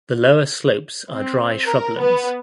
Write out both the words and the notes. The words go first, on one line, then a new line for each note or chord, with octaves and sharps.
The lower slopes are dry shrublands.
C4
A#4
B3